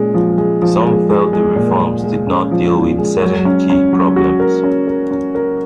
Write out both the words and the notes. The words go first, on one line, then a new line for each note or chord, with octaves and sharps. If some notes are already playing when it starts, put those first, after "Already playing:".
Some felt the reforms did not deal with certain key problems.
Already playing: A#2 G#3 C#4
F3
G#3
F3
G#3
G#3
G#3
A#2
G#3
G#3
C#4
F3
G#3
G#3
F#3
C#4
C#4
F#3
F#4
A#4
C#4
A#4
C#4
A#4